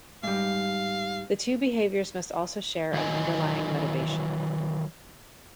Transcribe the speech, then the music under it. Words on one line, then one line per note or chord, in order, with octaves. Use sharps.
The two behaviors must also share an underlying motivation.
G#2 G3 F5
D#3 E3 F#3 D#5 G#5